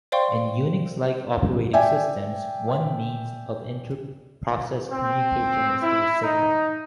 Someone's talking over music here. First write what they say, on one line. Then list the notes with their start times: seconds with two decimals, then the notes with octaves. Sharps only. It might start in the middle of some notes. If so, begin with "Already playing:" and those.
In Unix-like operating systems, one means of inter-process communication is through signals.
0.12 C5 D5 F5 G5 C6 C#6
1.73 D5 E5 G5 G#5
4.91 C4
5.83 E4
6.22 D#4